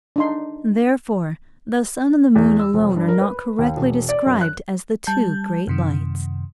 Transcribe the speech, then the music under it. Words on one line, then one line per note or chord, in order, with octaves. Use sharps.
Therefore the sun and the moon alone are not correctly described as the "two great lights."
D4 D#4 C6
E2
E6
F1
G2
A#4
B4
D#2
E1
D5
F#2
F#6
G3 A5 G6
F#2 C3 D#3